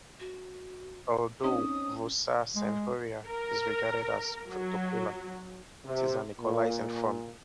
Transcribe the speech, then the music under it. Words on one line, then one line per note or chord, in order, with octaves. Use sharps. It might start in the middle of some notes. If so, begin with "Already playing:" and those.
Although "Vossa Senhoria" is regarded as protocolar, it is an equalizing form.
F#4
C4 C#4 D#4 C#5 D#6
G#3
A#4
F#3
C3
A#2